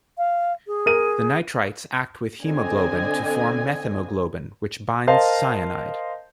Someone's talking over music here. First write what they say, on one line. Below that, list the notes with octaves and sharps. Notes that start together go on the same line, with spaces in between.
The nitrites act with hemoglobin to form methemoglobin which binds cyanide.
F5
G#4
A#4 D#7
D3 C4 D#5 G#5
A#4 C5 D#5 F5 A5